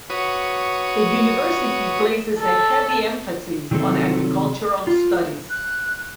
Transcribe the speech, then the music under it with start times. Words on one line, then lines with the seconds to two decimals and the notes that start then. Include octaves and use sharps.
The university places a heavy emphasis on agricultural studies.
0.10 F#4 B4 C#5 D#6
2.39 A4
3.71 C3 D#3 F#3 G3 C4 A4
4.87 F4
5.50 F#6